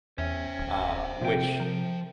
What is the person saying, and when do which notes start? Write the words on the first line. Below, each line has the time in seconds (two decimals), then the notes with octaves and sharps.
uh, which,
0.18 E2 C#4 C5 E5
0.59 D1
1.21 C3 F3 G5
1.60 F3 A#4